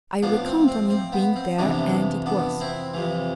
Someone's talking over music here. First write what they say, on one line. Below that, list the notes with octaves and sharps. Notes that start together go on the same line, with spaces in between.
I reckoned on it being there, and it was.
A2 F3 B3 D4
C4
C4
C4
B3
C4
F2 C3 E3 B3 D4
B3 D4
C4 E4
F2 C3 E3